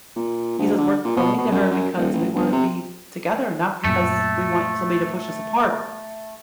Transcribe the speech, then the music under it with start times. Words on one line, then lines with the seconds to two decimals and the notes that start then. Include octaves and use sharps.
He says, "We're going to her because we wanna be together, not because we want somebody to push us apart."
0.16 A#2
0.59 D2
0.78 D3
1.04 A#2
1.17 B2
1.38 B2
1.52 F#2
1.71 F#2
1.97 D#1
2.13 A1
2.35 G1
2.52 C3
3.84 F#2 A#2 A3